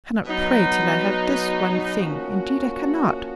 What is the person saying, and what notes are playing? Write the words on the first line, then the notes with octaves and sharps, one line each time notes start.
I cannot pray till I have this one thing; indeed, I cannot.
B2 F#3 B3 D#4
F3 A#3 C#4 F#4